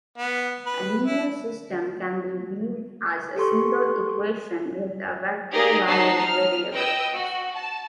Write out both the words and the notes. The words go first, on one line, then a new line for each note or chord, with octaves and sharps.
A linear system can be viewed as a single equation with a vector-valued variable.
B3
B4
E4
G4 A4 C6 C#6
D#4 G4 G#4 A#4 D5 D#5
D#4 C5 F#5 A5 B6 C7
F6
B4 D#5 G5 E6
F#4
A5